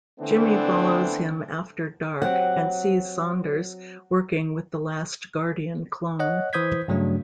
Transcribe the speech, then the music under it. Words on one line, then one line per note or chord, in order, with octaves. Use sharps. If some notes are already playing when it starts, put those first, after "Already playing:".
Jimmy follows him after dark and sees Saunders working with the last Guardian clone.
D3 E3 A3 B3 C4 D4
F#3 C4 G4 F#5
C#5 D#5 F#5 F#6
E3 C5 D#6 G6 G#6 B6
G2 C#3 F#3 A3 D4